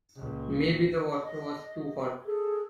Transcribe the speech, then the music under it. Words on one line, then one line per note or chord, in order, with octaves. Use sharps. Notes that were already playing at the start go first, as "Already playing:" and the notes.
Maybe the water was too hot.
C#2 A#2
D#5
G#4 A4